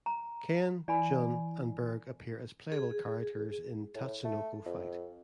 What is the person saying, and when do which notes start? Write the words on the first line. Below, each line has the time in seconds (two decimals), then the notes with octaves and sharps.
Ken, Jun and Berg appear as playable characters in "Tatsunoko Fight".
0.06 A#5
0.88 E3 D5 G#5 B5
2.72 G#4
3.95 A2
4.25 A3
4.66 F2